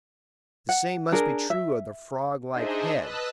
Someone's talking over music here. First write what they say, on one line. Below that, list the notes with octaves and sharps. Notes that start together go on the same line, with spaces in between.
The same must be true of the froglike head.
F#5
D4 G#4 A#4
E5
D4 D#4 G#4 C5 D#5 E5
B4 D#5 A5 E6 F#6